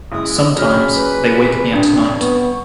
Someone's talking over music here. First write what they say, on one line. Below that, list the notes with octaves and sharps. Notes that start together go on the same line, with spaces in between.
Sometimes they wake me at night.
F#1 G#3 E4 D#6
A#2 F#3 C#4 D#4 G#4 B5 F6
B4
C3
A1 F2 G3 D4
B3 C#6